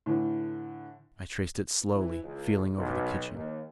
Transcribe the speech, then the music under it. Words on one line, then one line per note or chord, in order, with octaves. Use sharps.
I traced it slowly feeling over the kitchen.
A2 D3 E3
E3
C#2
B1
D#2